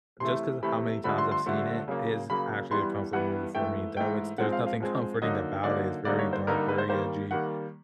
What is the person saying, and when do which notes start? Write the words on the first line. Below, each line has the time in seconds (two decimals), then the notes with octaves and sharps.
just 'cause of how many times I've seen it, it is actually a comfort movie for me, though it's there's nothing comforting about it, it's very dark, very edgy.
0.20 C3 E3 A3 C6
0.63 C3 E3 A3 B5
1.04 G2 D3 F3 A3 B5
1.18 C6
1.32 C6
1.46 G2 D3 F3 A3
1.88 C#3 F#3 A#3
2.30 C#3 F#3 A#3 B5
2.71 G2 E3 G3 B3 C6
3.13 G2 E3 G3 B3 F#5
3.55 G#2 E3 A3 G5
3.97 G#2 E3 A3 G5
4.38 G#2 F3 G#3 C4 F#5
4.52 F5
4.67 F5
4.80 G#2 F3 G#3 C4
5.22 D3 F#3 A#3 D#4 D#5
5.64 D3 F#3 A#3 D#4 D5
6.05 G2 D3 G3 A#3 D#4 D5
6.19 C#5
6.33 C5
6.47 G2 D3 G3 A#3 D#4 A#4
6.58 A#4
6.68 B4
6.78 C5
6.89 D#3 G3 A#3 C5
7.31 D#3 G3 A#3 F#5